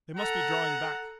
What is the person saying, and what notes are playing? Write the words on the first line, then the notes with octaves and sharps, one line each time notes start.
They must be drawing back.
A4 F#5 A#5